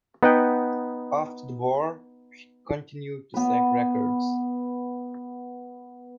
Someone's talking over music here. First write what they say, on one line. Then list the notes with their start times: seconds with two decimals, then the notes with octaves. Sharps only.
After the war, she continued to set records.
0.23 B3 D#4 B4 F#5 G5
3.34 B3 B4